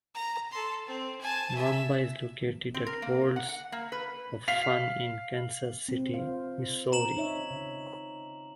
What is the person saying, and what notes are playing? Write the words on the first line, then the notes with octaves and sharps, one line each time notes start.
Mamba is located at Worlds of Fun in Kansas City, Missouri.
A#5
A4 C6
C4
G#5 A5
E5
C4
A#4
A#3
F#5
F#5
A#3
B4
F5 B6 C7 F7
C4
F4 C5 F5
A#5 E7 F#7
D#4 C#5 E5
C#3